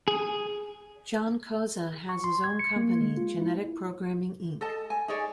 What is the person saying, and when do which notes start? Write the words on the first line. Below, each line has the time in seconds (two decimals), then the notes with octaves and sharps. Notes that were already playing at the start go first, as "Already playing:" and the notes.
John Koza has his own company" Genetic Programming Inc.".
0.08 G#4
2.09 C#6
2.24 C6
2.44 G#6
2.59 C#7
2.76 A#3
3.01 G#3
3.17 F4
3.42 E4
4.61 A4 D#5 A5
4.90 G#5
5.08 D#4 G#4 C#5 D5